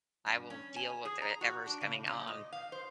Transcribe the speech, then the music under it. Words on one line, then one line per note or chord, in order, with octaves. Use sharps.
I will deal with, er, 'ever's coming on
G2
C#4
G#5
G#4
A#5
F#4
D4
C#3
A#2
D#5
F5
C5